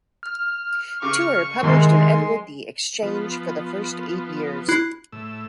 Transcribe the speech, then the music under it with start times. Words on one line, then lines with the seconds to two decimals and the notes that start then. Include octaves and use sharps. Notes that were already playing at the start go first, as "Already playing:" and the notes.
Tuer published and edited the "Exchange" for the first eight years.
0.23 F6
1.02 C#3 C#6 D6
1.63 C2 F2 G#2 D#3 G#3 C6
3.03 F3 B3
4.69 E4 F#6 C7
5.12 A2 E6